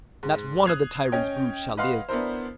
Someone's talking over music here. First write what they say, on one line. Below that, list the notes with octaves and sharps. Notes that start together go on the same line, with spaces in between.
Not one of the tyrant's brood shall live.
G#2
D#6 F#6 G#6 C7 F7
C#4 C#5 D#5 G5
B4 D#5 F5 F#5 C6 F6
B3 D4 E4 A#4 C5